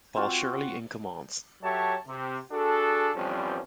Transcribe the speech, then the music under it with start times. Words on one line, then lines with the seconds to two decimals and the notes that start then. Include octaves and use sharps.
Paul Shirley in command.
0.16 C4 F4 F#4
1.62 F#3 G4 A4 C#5 E5 A5
2.07 C3
2.52 D4 F#4 G#4 A4
3.14 G1 E2 F3 G3 C4 C#4